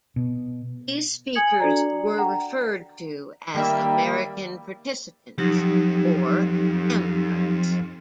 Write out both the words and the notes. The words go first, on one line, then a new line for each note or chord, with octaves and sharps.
These speakers were referred to as "American Participants" or "AmParts".
B2
G#5 D#6 G#6 C#7 F#7
D4 F#4 A4 D5 A#5
F#5 G5 A#5
D#3 G3 A#3 E5 G5
F2 F#3 D#4 G4